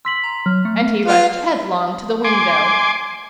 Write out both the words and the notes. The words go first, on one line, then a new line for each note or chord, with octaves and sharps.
And he rushed headlong to the window.
C6 E6 B6 F#7
A#5
F#3 F6
A3
F4 B4
G#5 C6 D6